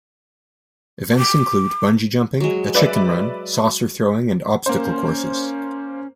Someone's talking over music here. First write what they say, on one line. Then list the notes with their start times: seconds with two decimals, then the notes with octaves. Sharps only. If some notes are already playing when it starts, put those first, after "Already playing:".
Events include bungee jumping, a chicken run, saucer throwing, and obstacle courses.
1.18 D6
2.40 F#3 G#3
2.75 B4 D5 E5
4.66 A#3 C#4 C5